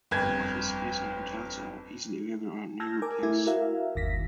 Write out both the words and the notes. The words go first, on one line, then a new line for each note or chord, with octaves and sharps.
Office space and hotels are easily available around Nehru Place.
G1 F2 B4 G#6
A5 E6 F6 G6 G#6 A#6
A#4 G#5 D6
A3 E4 G#6
F#4 A#4 E5 F5
G1 D#2 A#6 B6